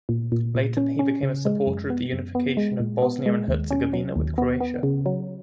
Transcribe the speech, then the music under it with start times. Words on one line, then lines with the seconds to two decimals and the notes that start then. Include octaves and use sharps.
Later he became a supporter of the unification of Bosnia and Herzegovina with Croatia.
0.09 A#2
0.32 A#2
0.55 A#2
0.77 C#4
0.99 C#4
1.23 C#3
1.45 G#3
1.67 F#2
1.90 B3
2.13 F#2
2.35 B3
2.57 G#3
2.80 A#2
3.02 B3
3.26 G#3
3.48 D#2
3.71 C#4
3.93 F#3
4.16 D#2
4.38 B3
4.61 B3
4.83 C#3
5.06 F#3